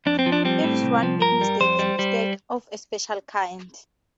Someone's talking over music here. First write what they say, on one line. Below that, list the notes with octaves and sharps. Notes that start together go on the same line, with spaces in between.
It is one big mistake and a mistake of a special kind.
F2 D4
C4
F3
D4
G3 C4
A2
C2
F3
G2 A#4
G3
F2 C5
G3
G3